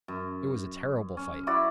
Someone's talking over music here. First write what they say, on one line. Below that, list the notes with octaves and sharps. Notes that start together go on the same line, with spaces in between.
It was a terrible fight!
F#2
C#4
E4 F#4 D5